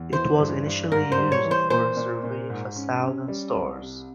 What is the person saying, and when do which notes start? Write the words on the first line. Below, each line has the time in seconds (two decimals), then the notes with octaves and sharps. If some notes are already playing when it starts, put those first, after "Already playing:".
It was initially used for a survey of a thousand stars.
Already playing: E2
0.13 E3 C5
0.39 G2
0.66 G2
0.92 G#2 A#4
1.12 C5
1.18 G3
1.32 C#5
1.44 E3
1.51 C5
1.70 A#2 C5
1.97 A#2
2.24 A#2
2.50 G#2
2.76 C#4
3.02 C#4
3.28 G3
3.55 C2
3.81 C3